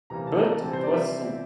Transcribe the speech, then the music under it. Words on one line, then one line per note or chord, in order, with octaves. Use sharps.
But it was so.
C3 E3 G3 A#3 A#5
A5
A#5
A5
C3 E3 G3 C4 A5
C5
D5
E5